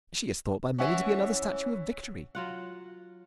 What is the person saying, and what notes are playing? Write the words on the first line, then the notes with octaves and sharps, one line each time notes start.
She is thought by many to be another statue of Victory.
E3 C#4 E5 F#5 C#6
F#3 F4 F#5